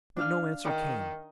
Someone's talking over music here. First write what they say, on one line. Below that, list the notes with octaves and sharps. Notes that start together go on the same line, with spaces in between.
But no answer came.
D4 F5 F6
D#3